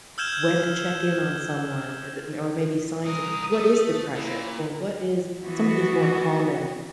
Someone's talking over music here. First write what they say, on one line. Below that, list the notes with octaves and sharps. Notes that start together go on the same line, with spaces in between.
when to check in on someone, uh, the, or maybe signs of what is depression or what is some of these more common,
E6 F6 G6 G#6 E7 G7
C2 A#4 D#6
A3
A#2 E4
E3 B3 F#4